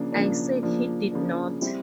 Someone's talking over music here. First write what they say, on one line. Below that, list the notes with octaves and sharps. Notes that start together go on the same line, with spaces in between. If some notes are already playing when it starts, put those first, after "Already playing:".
I said he did not.
Already playing: C#3 F3 A#3 D4
C#3 F3 A#3 D4
C#3 F3 A#3 D4
C#3 F3 A#3 D4
G3 C4 E4